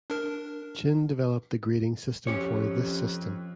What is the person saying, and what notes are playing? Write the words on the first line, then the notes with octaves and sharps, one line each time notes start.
Chin developed the grading system for this system.
D4 A#4
F2 C#4 G4 C#5